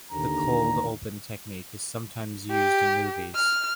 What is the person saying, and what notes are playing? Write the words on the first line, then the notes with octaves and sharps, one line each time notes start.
The cold open technique is sometimes used in movies.
D#2 D3 A#5
G4
F6